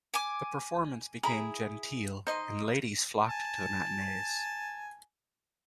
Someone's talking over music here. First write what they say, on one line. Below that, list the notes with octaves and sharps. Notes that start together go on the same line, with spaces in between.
The performance became genteel, and ladies flocked to the matinees.
G#5 D6
E4 G#4 A#5 B5
D#4 C5 D#5 C6
G#5 A5